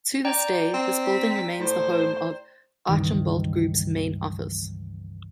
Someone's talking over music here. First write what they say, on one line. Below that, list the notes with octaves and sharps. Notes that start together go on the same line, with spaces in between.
To this day, this building remains the home of Archambault Group's main office.
D5 G5 A#5
C4
B6
A2 C5
C#2 G2 D#3 E3